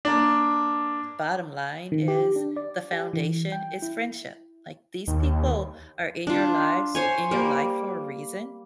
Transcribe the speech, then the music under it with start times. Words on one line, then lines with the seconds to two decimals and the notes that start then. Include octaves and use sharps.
bottom line is the foundation is friendship. Like, these people are in your lives in your life for a reason
0.05 A#3 D4
1.92 D#3
2.08 G4
2.36 D4
2.56 D5
2.93 G4
3.13 E3
3.52 G5
3.82 E4
5.07 D#2
6.27 D4 F4
6.95 C5 C#5 G#5
7.31 G3 A#3